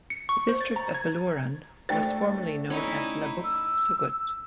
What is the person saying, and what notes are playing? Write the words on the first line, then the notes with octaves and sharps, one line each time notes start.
The district of Beluran was formerly known as Labuk-Sugut.
C#7
C#6
C5
A6
A#5
G#6
A3 D4 C5 G5 A6
C#4 D#4 E4
E6